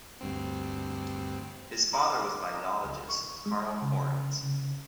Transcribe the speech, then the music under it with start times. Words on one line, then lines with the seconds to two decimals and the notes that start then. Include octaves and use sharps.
His father was biologist Carl Correns.
0.21 D2 G2 C4
1.93 A#5 D6
2.84 C#2
3.09 C#6
3.46 G#3
3.82 C#3
4.43 C#3